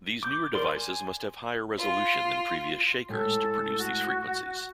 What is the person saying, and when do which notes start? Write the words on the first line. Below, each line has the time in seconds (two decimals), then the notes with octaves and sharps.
These newer devices must have higher resolution than previous "shakers" to produce these frequencies.
0.23 D6 G6
0.53 A#4 D5 C6
0.75 G#5
1.78 F4
3.09 A2 G#3 A3 A4
3.78 F#4